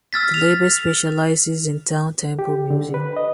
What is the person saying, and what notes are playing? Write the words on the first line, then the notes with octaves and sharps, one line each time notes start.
The label specializes in downtempo music.
E6 F6 A6 B6
F7
G4
D3
B4
D#5